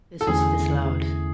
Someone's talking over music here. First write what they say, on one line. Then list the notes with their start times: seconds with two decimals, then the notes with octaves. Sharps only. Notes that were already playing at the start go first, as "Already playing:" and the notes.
This was disallowed.
0.21 A4
0.27 E2 D3 A3 C#4 E4 G#4